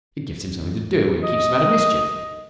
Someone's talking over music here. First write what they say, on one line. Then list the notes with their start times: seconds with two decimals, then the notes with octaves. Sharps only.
It gives him something to do and keeps him out of mischief.
1.23 D#5